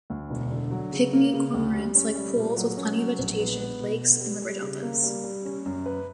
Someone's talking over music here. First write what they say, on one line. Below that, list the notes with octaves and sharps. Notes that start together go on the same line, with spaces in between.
Pygmy cormorants like pools with plenty of vegetation, lakes and river deltas.
D2
E1
D3
F#3
C#3
A#3
C#3
D2
G3
C#4
G3
A#2
F#3
C#4
F#3
A#1
B3
B3
B2
B3
G3
G3
C#3
A#3
G3
G3
C#4
F#2
B4